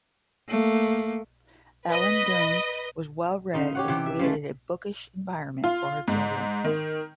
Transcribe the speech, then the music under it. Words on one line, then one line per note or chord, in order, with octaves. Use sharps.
Ellen Dunne was well-read, and created a bookish environment for her children.
A3 A#3
B4 D#5
C#3 D#4 C5
G4 C#5 F#5
C3 E3 G5
E5
C#3 G#3 A3
F4
G#2
D#3